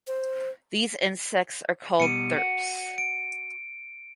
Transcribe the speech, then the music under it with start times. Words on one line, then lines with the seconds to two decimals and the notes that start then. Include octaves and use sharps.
These insects are called thrips.
0.07 C5
2.00 B2 G3 C#7 D#7
2.36 F#4
2.98 D7